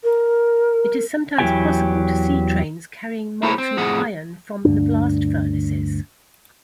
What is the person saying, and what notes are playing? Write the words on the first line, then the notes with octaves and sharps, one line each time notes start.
It is sometimes possible to see trains carrying molten iron from the blast furnaces.
A#4
E2 F#3 E4 G4 G5 G#5
A#3 E4 G#4 C5 C#5
C4
F2 A2 G#4 F#5
D2 G2 D4